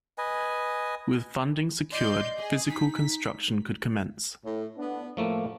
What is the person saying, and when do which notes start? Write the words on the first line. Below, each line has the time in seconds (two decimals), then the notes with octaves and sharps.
With funding secured, physical construction could commence.
0.18 B4 D#5 G#5
1.92 D5 D#5 C6 G6
2.38 G#4
2.70 D#4 B6
4.45 A2
4.78 B3 D4
5.17 A2 F3 A3 A#3